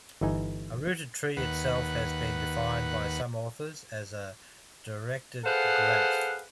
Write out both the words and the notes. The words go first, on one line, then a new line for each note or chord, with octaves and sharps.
A rooted tree itself has been defined by some authors as a directed graph.
G1 E3 D#4 G#5
D#2 B4 F#5
G#4 A4 B4 C5 F5 F#5